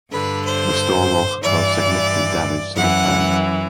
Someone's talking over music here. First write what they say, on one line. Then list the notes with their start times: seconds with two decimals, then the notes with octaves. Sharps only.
The storm also caused significant damage to the town.
0.11 G2 D3 B4
0.43 C5
1.43 G2 E3 D5
2.74 F#2 E3 F#5